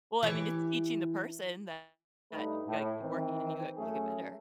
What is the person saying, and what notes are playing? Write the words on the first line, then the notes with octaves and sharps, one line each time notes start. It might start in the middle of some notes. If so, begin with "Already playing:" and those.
Well, I mean, it's teaching the person that that ya gotta keep working and you, uh you get better.
E3 G4 C#5
G2 A3 D#4 B4
A2
D#3 E3 C4
F#2 A3 C#4 G#4